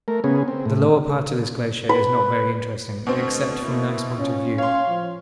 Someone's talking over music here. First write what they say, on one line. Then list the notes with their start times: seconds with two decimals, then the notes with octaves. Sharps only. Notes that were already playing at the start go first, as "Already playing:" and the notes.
The lower part of this glacier is not very interesting, except from an ice point of view.
0.08 A3 A#4
0.24 C#3 B3 C#4 G#4
0.48 C4
0.65 A2
1.89 B4
3.07 D2 B2 C4
3.63 A#3 E4
4.19 C#4 F4
4.58 C#5 F5 C6
4.88 F3